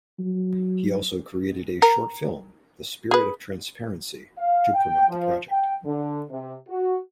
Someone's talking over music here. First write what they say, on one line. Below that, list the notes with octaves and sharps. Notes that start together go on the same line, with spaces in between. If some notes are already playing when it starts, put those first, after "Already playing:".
He also created a short film, "The Spirit of Transparency", to promote the project.
F#3
A#4
G#4 B4
F5
G5
F3
G5
D3
C3
F#4